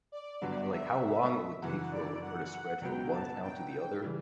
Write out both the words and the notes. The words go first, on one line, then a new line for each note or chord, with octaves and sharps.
H like, how long it would take for a rumor to spread from one town to the other?
D5
G2 D3 F#3 B3
E5
F#2 C#3 E3 F#5
D5
F#5
F#5
C#2 B2 F#3 B3 G5
A5
G5
C#3 E3 G3